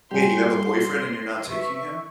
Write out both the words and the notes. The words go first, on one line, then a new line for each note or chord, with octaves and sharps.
Wait, you have a boyfriend and you're not taking him?
G#2 G3 F#4 G4 G#5 C6
B4 E5 C#6